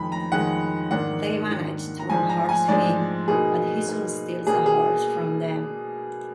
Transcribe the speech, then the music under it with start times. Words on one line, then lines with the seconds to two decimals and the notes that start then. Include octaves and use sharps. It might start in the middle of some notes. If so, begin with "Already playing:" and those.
They manage to unhorse him but he soon steals a horse from them.
Already playing: F2 D#3 G#3 B5
0.12 A#5
0.32 F2 D#3 G#3 F#5
0.91 G#2 D#3 A#3 D4 F#5
1.50 G#2 D#3 A#3 D4
1.99 A#5
2.09 G#2 F3 G#3 D4 G#5
2.29 A#5
2.49 G#5
2.68 G#2 F3 G#3 D4 D5
3.28 B2 A#3 D#4 G#4
3.87 B2 A#3 D#4
4.46 B2 A#3 D4 G#4
4.66 G#4